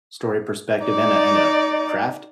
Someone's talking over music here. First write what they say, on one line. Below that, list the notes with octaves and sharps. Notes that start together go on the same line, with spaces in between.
story perspective and a and a craft.
D#4 D5